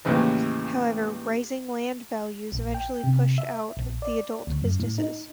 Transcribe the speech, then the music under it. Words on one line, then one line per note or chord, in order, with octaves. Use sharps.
However, rising land values eventually pushed out the adult businesses.
D#2 A2 C#3 E3 G#3
A#1
G5
C3
E5
A#1
D5
D2
F#2
A2
D#4